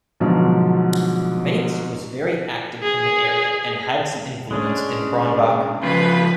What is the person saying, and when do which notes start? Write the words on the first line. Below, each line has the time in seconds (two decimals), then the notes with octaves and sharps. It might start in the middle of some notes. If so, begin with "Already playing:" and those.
Mainz was very active in the area and had some influence in Bronnbach.
0.20 G#2 B2 D3 F3 F#3
2.82 G#4
4.51 G#3 C#4 D4
5.83 C#3 F3 F4 B4